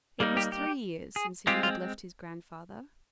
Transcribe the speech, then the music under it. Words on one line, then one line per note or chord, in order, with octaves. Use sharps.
It was three years since he had left his grandfather.
G3 A#3 D#4
G4
G4
G#4
G#3 C4 F4 G4
F4